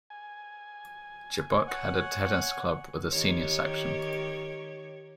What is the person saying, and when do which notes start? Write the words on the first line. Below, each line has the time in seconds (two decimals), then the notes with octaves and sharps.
Jabuk has a tennis club with a senior section.
0.10 G#5
1.68 C#5 F#5
3.09 D#3 G4 C#5